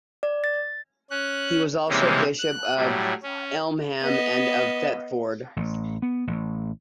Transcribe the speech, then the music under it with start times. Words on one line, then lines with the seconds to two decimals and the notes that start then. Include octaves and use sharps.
He was also bishop of Elmham and of Thetford.
0.23 D5
0.44 A6
1.10 C#4 F#6
1.89 C3 E3 G3 G#3 A#3 C#4
2.38 F#6
2.77 A2 F#3 G3
3.23 C#4
4.01 B3 D#5
5.56 A1
6.02 B3
6.27 A1